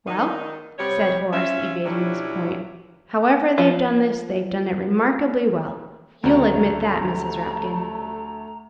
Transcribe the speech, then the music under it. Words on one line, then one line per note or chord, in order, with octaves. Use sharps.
"Well," said Horace, evading this point, "however they've done this, they've done it remarkably well--you'll admit that, Mrs. Rapkin?"
D#3 D#4 D5
C3 G3 B3 C#5
F3 C#4 F4 E5
B2 F#3 C#4 D4 E4 G4
F3 F4
D2 C#3 F#3 G3 A3 A#5